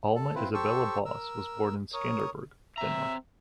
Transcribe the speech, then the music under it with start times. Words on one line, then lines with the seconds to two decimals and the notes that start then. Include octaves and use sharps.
Alma Isabella Bosse was born in Skanderborg, Denmark.
0.15 A4
0.35 C4 E4 F4 B4
0.54 G4 A4 C5 C#6 E6
1.05 A#4 E6
1.93 A#4 C#5 D#6
2.78 C4 E5 A#5